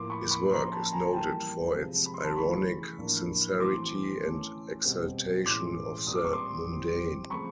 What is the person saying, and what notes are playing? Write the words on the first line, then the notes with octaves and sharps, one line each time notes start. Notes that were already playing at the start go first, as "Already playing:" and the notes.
His work is noted for its ironic sincerity and exaltation of the mundane.
Already playing: A2 F3 A#3 C6 D6
B5 C#6
B5 C#6
F3 A#3 C#4 A#5 C6
A5 B5
G#5 A#5
E3 G3 A#3 G5 A5
C3 F3 G#3 C4
B5
C6
A5 B5
C#3 E3 A3 B5 C#6
A2 F3 A#3 D4
E3 A3 C4 C6 D6
E3 A3 C#4
B2 G3 C4
A2 E3 G#3 C#4 C6 D6
A#2 G3 C4 D#6
D6
C#6
C6 D6
E3 G3 C4
C#3 F3 A3 C4 B5 C#6